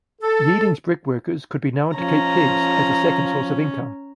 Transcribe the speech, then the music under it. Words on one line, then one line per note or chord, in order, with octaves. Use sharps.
Yeading's brickworkers could be known to keep pigs as a second source of income.
A4
F3 C#4 A#5